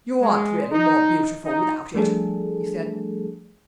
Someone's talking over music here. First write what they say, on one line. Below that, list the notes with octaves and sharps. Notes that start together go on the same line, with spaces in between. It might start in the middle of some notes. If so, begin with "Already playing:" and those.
"You aren't really more beautiful without it," he said.
G#3
D#4
D#4
F3 G3 A3 D4 G#4 A4